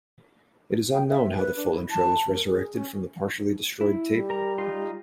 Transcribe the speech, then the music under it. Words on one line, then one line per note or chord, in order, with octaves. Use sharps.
It is unknown how the full intro was resurrected from the partially destroyed tape.
G5
E5
B4
D4
E4
A5
A#4
G#4
C#4
E4
G3
A#4 A#5
D#4 F4 C6